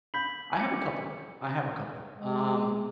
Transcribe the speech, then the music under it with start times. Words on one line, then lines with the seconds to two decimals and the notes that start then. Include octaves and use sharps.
I have a couple, I have a couple, um
0.14 B5 G6 B6 F#7
0.58 D6 C#7
2.18 G#3